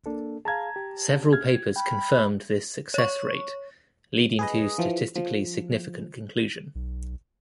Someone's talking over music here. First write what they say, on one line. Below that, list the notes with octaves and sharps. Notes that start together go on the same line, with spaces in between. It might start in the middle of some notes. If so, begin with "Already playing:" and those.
Several papers confirmed this success rate, leading to statistically significant conclusion.
A#3 D4 A4
G#4 F5 A5 A#5 G#6
G4
F6 G#6
G5 B5
C#5 C#6
G#4 B4 D#5
E3 F3
F3
B1